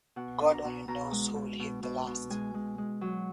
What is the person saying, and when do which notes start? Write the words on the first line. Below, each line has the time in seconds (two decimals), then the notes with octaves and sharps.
God only knows who will hit the last.
0.16 B2 F#5
0.40 D4
0.52 A#5
0.65 B2
0.88 B2 A#5
1.12 G#3
1.35 B2
1.60 B2
1.83 B2
2.07 B2
2.30 G#3 G#5
2.54 G#3
2.78 G#3
3.01 F#3